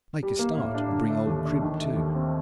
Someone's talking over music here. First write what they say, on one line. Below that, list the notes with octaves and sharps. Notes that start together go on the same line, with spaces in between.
Make a start, and bring old Crib too.'
G3
A#3
A2
D4
D3
A3
D#2
D4
D#3
A3
D#2
C4